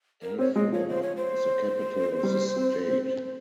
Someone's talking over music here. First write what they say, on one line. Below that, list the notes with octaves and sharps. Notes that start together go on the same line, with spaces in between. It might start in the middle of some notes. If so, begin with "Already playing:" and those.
Al-Fulah is the capital of the state.
A#4
C4 C#5
G#3 D#5
F3 C#5
C5
C#5
C5
G3
C4
C4